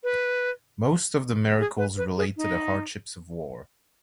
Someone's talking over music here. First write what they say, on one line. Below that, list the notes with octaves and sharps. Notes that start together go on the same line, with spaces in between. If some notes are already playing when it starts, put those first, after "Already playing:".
Most of the miracles relate to the hardships of war.
B4
G#4
B4
B4
G#4
D#4